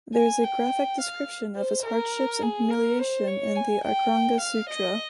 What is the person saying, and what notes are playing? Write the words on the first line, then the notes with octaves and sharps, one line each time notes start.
There is a graphic description of his hardships and humiliation in the "Acharanga Sutra".
G#5
G5
F5
C5
A#4
G#4
A#4
C5
C#5
G#5
G5
F5
D#5